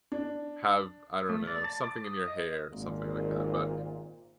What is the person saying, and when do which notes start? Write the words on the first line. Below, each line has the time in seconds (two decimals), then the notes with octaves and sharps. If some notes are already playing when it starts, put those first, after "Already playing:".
have, I don't know, something in your hair or something like that, but
0.12 D4
1.29 A3
1.47 D5
1.64 A5
1.84 D6
2.04 D#6
2.28 D#5
2.72 G#1 A#2